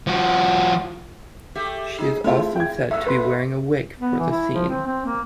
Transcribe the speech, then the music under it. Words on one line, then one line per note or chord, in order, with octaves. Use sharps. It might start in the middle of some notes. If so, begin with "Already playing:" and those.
She is also said to be wearing a wig for the scene.
F3 F#4
A3 G4 E5
D#4 G#4
A3 C4 E4 F4
G5 G#6
G#2 A3 E5 E6
B4 C6
B3
E3
E4
F3
C4
C4
A#3